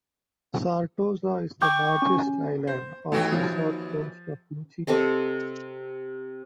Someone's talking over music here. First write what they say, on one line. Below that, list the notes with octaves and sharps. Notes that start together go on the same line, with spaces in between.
Sartosa is the largest island off the south coast of Luccini.
G5 C#6 D6 G6
C#4
C5
D#2 E3 A3 F#4 G5
F3
C3 C4 A4 D#5